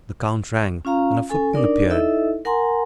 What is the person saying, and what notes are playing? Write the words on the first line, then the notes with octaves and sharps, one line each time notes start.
The count rang, and a footman appeared.
C#4 F4 F5 A#5
C#4 A4 G#5
D4 D#4 A#4 D5
D#4 E4 A4 D#5 E5
A#4 F#5 G#5 A#5 C6